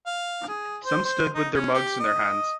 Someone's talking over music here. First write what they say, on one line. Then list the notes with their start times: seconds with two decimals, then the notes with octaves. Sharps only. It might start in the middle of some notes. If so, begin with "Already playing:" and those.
Some stood with their mugs in their hands.
0.06 F5
0.48 G#4
0.84 C5
1.05 C5
1.34 D#4
1.54 C#4
1.74 G4
1.99 D#5